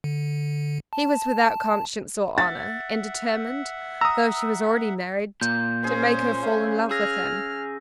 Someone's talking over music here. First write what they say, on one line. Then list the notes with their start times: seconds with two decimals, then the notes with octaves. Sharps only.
He was without conscience or honor, and determined, though she was already married, to make her fall in love with him.
0.04 D3
0.93 A5
2.38 E5 F#5 A6
4.01 A#5 D#6 E6
5.41 A#2 G6
5.84 C#4 G#4 C5
6.43 C#3 G#5
6.91 G#4 E6 F6 A#6